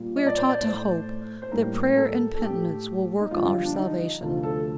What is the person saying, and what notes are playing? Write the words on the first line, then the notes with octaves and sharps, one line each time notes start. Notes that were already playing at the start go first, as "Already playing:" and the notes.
'We are taught to hope, that prayer and penitence will work our salvation.
Already playing: A#2 G3 A#3
D#5
D5
C5
D5
A2 A3 C5
C5
A2 G3 A#3 A#4
A4
A4
A2 A3 G4
D#4
F2 D3 G3 F4
D4
D#4
D2 C3 F3 A3 F4
A4